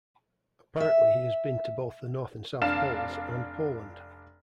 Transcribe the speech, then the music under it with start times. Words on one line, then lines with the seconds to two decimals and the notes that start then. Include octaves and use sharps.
Apparently he has been to both the North and South poles, and Poland.
0.80 E5
2.62 F1 D4 F5 E7